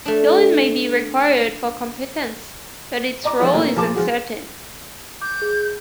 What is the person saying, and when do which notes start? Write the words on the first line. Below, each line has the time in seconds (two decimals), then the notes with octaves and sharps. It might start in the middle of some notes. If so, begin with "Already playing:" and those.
Pilin may be required for competence, but its role is uncertain.
0.06 A3 D4
3.24 D5 D#5 A#5 D6
3.39 F3 C#4 D4 E4 F4 G#4
3.53 A#2 D#3 E3 F#3 A3 A#3
3.76 A#2 F3 G#4 A5 D6
3.94 F3 G#3 F#4 G#4
5.22 D6 G6
5.42 G#4